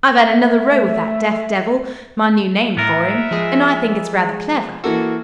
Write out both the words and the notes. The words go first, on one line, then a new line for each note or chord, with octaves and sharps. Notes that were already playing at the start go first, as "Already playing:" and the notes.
I've had another row with that deaf-devil--my new name for him, and I think it's rather clever.
E5
A3
A2 B3 A#4 E5
F3 G#3 G#4
E3 A#3 F#4 A4